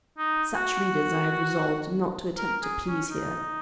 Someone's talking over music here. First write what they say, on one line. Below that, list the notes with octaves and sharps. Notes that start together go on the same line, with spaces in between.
Such readers I have resolved not to attempt to please here.
D#4
F#4
A#4
G#4
C#4
D#4